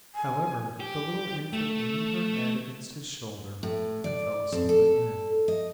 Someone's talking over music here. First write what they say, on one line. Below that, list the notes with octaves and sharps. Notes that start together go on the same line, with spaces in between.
However, the little infant leaned her head against his shoulder, and fell asleep again.
G#5
G4
A3
A2
D5
F2
A4
D#5